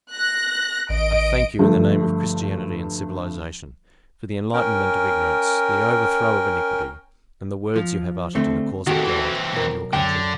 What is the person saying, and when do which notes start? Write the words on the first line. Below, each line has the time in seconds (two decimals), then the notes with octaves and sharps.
I thank you, in the name of Christianity and civilization, for the enlightenment of ignorance, the overthrow of iniquity, and the words you have uttered in the cause of God and your country.
0.12 F#6 A#6
0.89 A1 D#5 D7
1.59 G2 D3 F3 A3
4.53 C#4 A#4 G5
7.76 F3
8.35 D3 A3 C4
8.87 D#3 C4 F#4 G4 A4
9.04 E3 C4
9.53 B1 A#4
9.93 F#2 D3 F3 G5